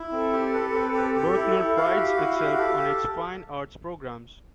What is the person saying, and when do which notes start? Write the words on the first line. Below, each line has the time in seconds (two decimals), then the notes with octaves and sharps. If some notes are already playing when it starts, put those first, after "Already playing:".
Berkner prides itself on its fine arts programs.
Already playing: E4
0.12 C4 A4
0.33 G4
0.53 B4
0.73 C4
0.94 G4
1.15 G4
1.36 E4
1.56 E4
1.76 F5
1.87 F#4
1.97 G4 F5
2.17 E4 F#4
2.38 G4 F5
2.51 F#4
2.58 G4 A4
2.75 G4